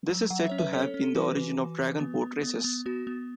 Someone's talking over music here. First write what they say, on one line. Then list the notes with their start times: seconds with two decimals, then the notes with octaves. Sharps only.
This is said to have been the origin of dragon boat races.
0.09 F#3
0.30 F#3 F#5
0.40 E5
0.49 C#4 C#5
0.59 B4 E5
0.73 C#4 A4 C#5
0.94 C#4
1.04 A4
1.15 E3 F#4 B4
1.37 E3
1.58 E3
1.80 E3
2.00 B3
2.22 B3
2.43 B3
2.64 B3
2.86 B3 F#4
3.07 B3